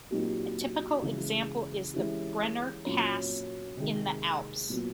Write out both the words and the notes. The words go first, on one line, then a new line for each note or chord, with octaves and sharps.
A typical example is the Brenner pass in the Alps.
A#2 F#3 A#3 D#4 G4
C#3 E3 G#3
E3 G#3 C#4 E4 G4
A#2 F#3 A#3 C#4
C3 D#3 G#3
A#2 F#3 B3